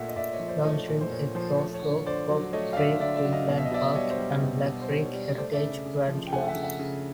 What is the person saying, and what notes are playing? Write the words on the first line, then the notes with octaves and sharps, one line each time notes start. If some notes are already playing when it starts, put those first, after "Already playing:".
Downstream it flows through "Bob Creek Wildland Park" and "Black Creek Heritage Rangeland".
Already playing: A#2 A3 E5 F#5
D#5
A#2 D5 E5
C#5 D#5
F3
C5 D5
A3 C#5 D#5
A#2
C5
A#2 C#5
F3 C5
A3 C#5
C#5
D3
C#5
D3 C5 D5
F#3
A3 C#5 D#5
F5
D3 D5 E5
D3 D5 E5
D5 E5
F#3
D#5 F5
B2 F5
E5
D#5
B2 D5 E5
G3 C#5 D#5
C5
G3
B2
B2
C5
G3 C#5
G3
A3 C5 D5
D5 E5
C#3
C#3
F3
G5
A3 F#5 G#5
E5 F#5
C#3
E5 F#5
C#3